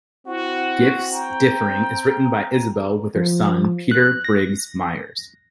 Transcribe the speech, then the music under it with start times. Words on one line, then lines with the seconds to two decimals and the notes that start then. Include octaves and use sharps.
Gifts Differing is written by Isabel with her son, Peter Briggs Myers.
0.27 C4 E4 F#4
1.13 G5 A#5
3.15 F3
3.91 F#6
4.25 A#6